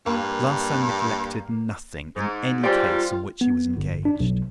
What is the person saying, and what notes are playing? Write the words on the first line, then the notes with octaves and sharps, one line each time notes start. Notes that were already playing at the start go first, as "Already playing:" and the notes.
Larsan neglected nothing in any case on which he was engaged.
G2 A#3
G#2
G#2 D#3 G3 C4 F4 D5
B3
G1
D4
B1